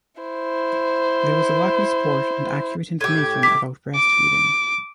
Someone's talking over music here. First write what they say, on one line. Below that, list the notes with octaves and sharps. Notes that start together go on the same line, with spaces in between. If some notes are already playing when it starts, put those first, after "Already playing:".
There was a lack of support and accurate information about breastfeeding.
E4 C5
A2 G4 G#6
D6 B6
D6